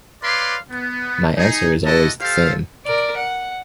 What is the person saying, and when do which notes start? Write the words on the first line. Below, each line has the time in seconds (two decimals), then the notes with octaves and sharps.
My answer is always the same.
0.23 B4 C#5 D5 F5 C6 D6
0.71 B3
1.37 D#4 G#4
1.85 E4 F#4 A4 D#5 A5
2.21 G4 A4 C5 F5
2.86 A#4 D5
3.17 F#5